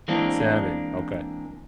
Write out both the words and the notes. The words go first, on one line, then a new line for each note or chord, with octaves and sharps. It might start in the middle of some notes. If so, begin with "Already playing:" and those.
Salmon, okay.
E3 G#3 A#3 C4 D4